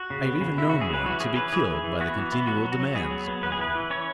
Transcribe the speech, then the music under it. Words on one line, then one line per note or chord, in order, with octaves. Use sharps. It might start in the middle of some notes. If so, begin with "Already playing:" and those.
I have even known one to be killed by the continual demands upon him.
Already playing: F#4
C#3
B3
C#3
C#3 E4
C#3 F#4
G#4
F#3 B4
E3 F#4
C#4 G#4
E3 B4
E3 G#4
E3
E3
B3 F#4
E3
B3
F#3 F#4
F#3
F#4
F#3
B3 G#4
F#3
B3
B3 B4
G#4
E3 B4
E3
C#4 C#5